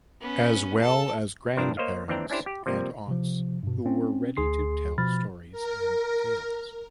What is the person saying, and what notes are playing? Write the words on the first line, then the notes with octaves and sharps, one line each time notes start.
As well as grandparents and aunts who were ready to tell stories and tales.
B3 C#4
A4 A5
G2 E3 F3 D4 A#4 C5
A#3 C5 C#5 D#5 F5
D#2 E3 C4 D4 G5 A#5
C#4 D4 E4 G4 C5
G4
C3 F3 G3 A#3 C4
C3 F3
G2 B2
C4 C#4
D2 G#4 C6 C7
B2 F3 B5 F6 A6
A#4